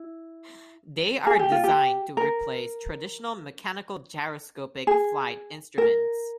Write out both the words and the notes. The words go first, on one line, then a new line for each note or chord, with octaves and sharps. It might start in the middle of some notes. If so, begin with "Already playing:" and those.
They are designed to replace traditional mechanical gyroscopic flight instruments.
Already playing: E4
G#4
G4
F4
G4
A#4
G#4
A#4